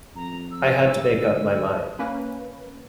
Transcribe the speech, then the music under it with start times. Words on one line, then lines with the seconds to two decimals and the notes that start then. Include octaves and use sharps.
I had to make up my mind.
0.16 F2 A#5
0.51 E6
1.08 D3
1.99 A#3 C#4 B4